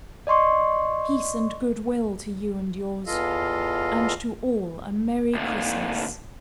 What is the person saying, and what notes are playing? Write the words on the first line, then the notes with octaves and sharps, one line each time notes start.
"Peace and good will to you and yours; And to all a Merry Christmas."
D5 D#5 C6 C#6
E2 E3 F4 A4 D#5 F5
D2 A#2